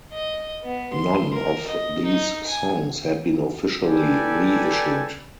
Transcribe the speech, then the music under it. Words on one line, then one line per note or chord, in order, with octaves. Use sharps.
None of these songs had been officially re-issued.
D#5
B3
C6
A#4
D#5
D#4
G#5
A4 B4 D5 G5 G#5